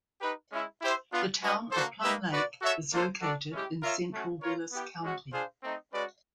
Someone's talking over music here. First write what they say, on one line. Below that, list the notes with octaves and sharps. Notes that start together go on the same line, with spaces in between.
The Town of Plum Lake is located in central Vilas County.
D#4 G4 B4
G#3 C#4 E4
E4 G4 C5 E5
B3 D4 F4
D4 F#4 B4 D#5
A#3 D4 F#4 A4 C5
A#3 D#4 G4 B4 E5
F#4 B4 D5
F#4 A4 C#5 E5
A#3 D4 F4 A4 C5
D4 F#4 A4 D5
G#3 C#4 E4 G4
F4 A#4 C#5 E5
A3 C#4 F#4
F4 A#4 C#5
B3 E4 G4
G#3 C#4 F#4
D4 F4 G#4 C5 F5
A3 C4 D#4
G#3 C#4 F#4 B4 D5